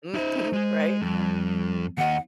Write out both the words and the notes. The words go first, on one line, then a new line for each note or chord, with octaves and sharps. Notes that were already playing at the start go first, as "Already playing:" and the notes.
Mhm, right?
D#4 C5 E5
G#3
F2 G3
D#2 D#5 F#5